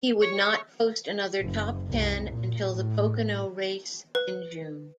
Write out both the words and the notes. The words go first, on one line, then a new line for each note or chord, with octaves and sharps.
He would not post another top ten until the Pocono race in June.
C#5
F#1
C2
A#2
A2
B4